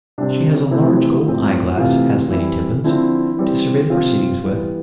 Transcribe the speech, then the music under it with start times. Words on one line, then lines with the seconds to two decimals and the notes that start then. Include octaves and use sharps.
She has a large gold eye-glass, has Lady Tippins, to survey the proceedings with.
0.18 C3 G3 C4 D4
0.71 C3 E3 A3 C4 E4
1.24 A2 F3 C4
1.77 C3 E3 A3 C4 F4
2.31 E3 G3 C4 E4
2.84 D3 F3 C4 E4
3.37 E3 G3 C4
3.90 C3 F3 C4 F4
4.43 E3 G3 B3